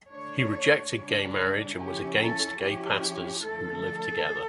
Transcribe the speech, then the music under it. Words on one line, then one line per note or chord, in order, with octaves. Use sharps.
He rejected gay marriage and was against gay pastors who live together.
D3 A3 D4 C#5
C#3 G3 D4
C#3 F3 C#4 E4 G4
A4
F3 C#4 E4 G4
D3 F3 A3 A4